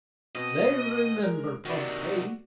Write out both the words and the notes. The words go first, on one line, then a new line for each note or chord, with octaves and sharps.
They remember Pompeii.
B2 C4 D#5
G#3 A#4
C3 D#3 F#4 D5